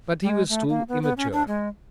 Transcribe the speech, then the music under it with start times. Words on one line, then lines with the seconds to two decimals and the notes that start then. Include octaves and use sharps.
But he was still immature.
0.22 G3
0.29 G#3
0.49 A3
0.69 A#3
0.89 B3
1.03 B3
1.17 C#4
1.33 D4
1.48 G#3